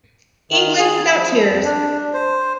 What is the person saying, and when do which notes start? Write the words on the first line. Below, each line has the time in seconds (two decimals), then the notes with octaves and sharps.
"England Without Tears".
0.51 D#3
0.79 G#4
1.15 F3
1.50 F2
1.64 D4
2.14 C5